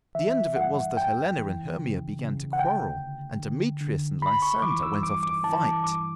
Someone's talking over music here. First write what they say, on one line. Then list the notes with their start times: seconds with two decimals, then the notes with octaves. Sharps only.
The end of it was that Helena and Hermia began to quarrel, and Demetrius and Lysander went off to fight.
0.15 E3 E5
0.56 G2 F#5
0.96 E2 G5
1.37 E3
1.78 C#3
2.19 C#3
2.53 F#5
2.59 D2 G5
2.99 D2
3.40 D3
3.80 D3
4.22 C#2 B5
4.42 C#6
4.62 E3 D6
4.83 E6
5.02 G2 D6
5.23 D6
5.43 E3 A5
5.65 D6
5.84 G2 D6